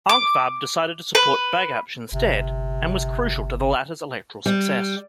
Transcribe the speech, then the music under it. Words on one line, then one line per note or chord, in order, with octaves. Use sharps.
Ankvab decided to support Bagapsh instead and was crucial to the latter's electoral success.
D6
B4
G1 C3
G3